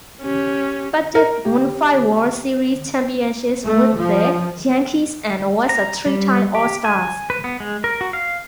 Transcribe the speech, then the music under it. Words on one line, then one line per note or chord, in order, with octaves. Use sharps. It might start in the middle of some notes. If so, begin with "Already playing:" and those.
Pettitte won five World Series championships with the Yankees and was a three-time All-Star.
C#4 G4
A#4
G4
A3
F3
A#5
G3
G4
G#5
B4
B3
G#3
A#4
F#4
F5